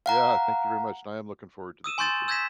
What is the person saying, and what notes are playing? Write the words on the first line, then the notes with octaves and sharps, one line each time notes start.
Yeah, thank you very much, and I am looking forward to the future.
F5 F#5 A#5
D#6 E6 D#7 E7
G#5 C6 C#6 G6 A6 E7
E6 G6 G#6 A#6 B6 E7